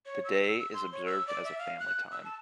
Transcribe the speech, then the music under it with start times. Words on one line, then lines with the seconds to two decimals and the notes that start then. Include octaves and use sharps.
The day is observed as a family time.
0.06 C#5
0.25 E6
0.59 E6
0.74 C6
0.92 C#5
1.06 E6
1.28 D5
1.44 E5
1.59 F5
1.79 F#6
2.12 E6
2.25 A5